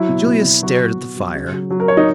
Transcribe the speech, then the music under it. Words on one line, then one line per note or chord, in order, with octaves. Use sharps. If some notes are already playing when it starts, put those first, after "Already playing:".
Julius stared at the fire.
Already playing: F#3 E4
B2
B2
B2
F#3 F#4
F#3
F#3
F#3
C#3
F#3
F#3
A#4
F#3 C#5
D#4